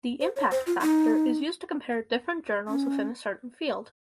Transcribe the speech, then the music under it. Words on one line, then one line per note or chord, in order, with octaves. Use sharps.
The impact factor is used to compare different journals within a certain field.
C5
C#5
C5
F4
D#4
C#4